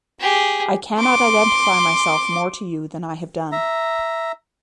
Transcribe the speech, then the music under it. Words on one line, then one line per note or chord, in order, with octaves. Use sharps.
I cannot identify myself more to you than I have done.
G4 G#4
C6 D6
E5 A#5